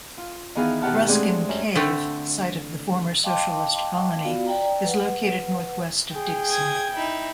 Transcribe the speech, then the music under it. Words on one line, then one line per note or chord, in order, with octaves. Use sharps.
Ruskin Cave, site of the former socialist colony, is located northwest of Dickson.
F4
D#3 E3 B3 G#4 F5
B2 D#3 G4 F#5 A5 F6
G#3 A3 C4 D4 G#4
F#2
D3 A3 C4
D#5 F5 G5 A5 C6 D6
B3 F4 F#4 D5 F5
D5 G5 A#5
B4 F#5
G#4 G5
D#6 G#6
D#4 E4